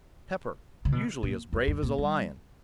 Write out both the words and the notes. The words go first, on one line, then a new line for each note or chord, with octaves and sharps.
Pepper, usually as brave as a lion!
C#3
B2
A#2
F#2
F#2
A#2
G3